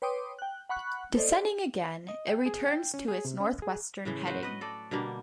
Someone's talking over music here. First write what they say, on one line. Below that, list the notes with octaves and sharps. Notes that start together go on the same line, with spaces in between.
Descending again, it returns to its northwestern heading.
B4 C#5 G5 C6 D6 D#6
G5 F#6
F#5 B5 C#6 F#6
A4 C5 D5 D#5
D#5
G5
G#4
G5
C#4
G#4
C3
C#4
G#4
A2 C#3 E3
F#3 F#4 B4 C5
B4 D#5
A4 D5
B2 D3 G3 A#3